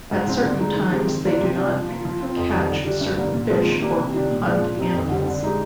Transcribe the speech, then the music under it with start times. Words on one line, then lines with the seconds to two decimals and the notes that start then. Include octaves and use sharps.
At certain times they do not catch certain fish or hunt animals.
0.11 G#2
0.27 F3 C4
0.43 D3
0.60 G#3 D#4
0.76 D#3
0.92 G#3 C4 G4
1.08 D#3
1.24 G3 A#3 D4 F4
1.41 C3
1.57 G3 D4 F4
1.73 F3
1.89 A#3 F4
2.05 F3
2.21 C4 F4
2.37 F2
2.53 D#3 G3
2.69 D3
2.84 G3 D4 G4
3.01 G2
3.17 D3 G3 A#3
3.34 A#2
3.50 F3 G#3 C4 F4
3.66 D#3
3.81 A#3 D4 G4
3.97 C3
4.13 D#3 G3 D4 G4
4.30 A#2
4.45 F3 G#3 D4 F4
4.61 A#2
4.77 G3 C4 D#4
4.94 F2
5.10 D3 G3 C4
5.26 D3
5.43 G#3 D#4 G4